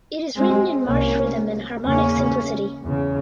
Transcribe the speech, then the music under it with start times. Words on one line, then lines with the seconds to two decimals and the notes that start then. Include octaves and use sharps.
It is written in march rhythm and harmonic simplicity.
0.38 G#3 C4
0.87 C2 C3 A#3 C#4
1.84 E2 C#3 A#3 C#4
2.83 E2 C#3